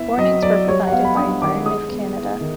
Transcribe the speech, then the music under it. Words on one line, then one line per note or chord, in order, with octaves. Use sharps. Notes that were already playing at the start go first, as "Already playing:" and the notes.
Warnings were provided by Environment Canada.
Already playing: B3 E4 E5
F#3 D#5
F#3 D5
G3 C#5
F#5
B3 F5
B5
D4 D#6
D#3 D6
G#3 D#6
B3
E4
D#3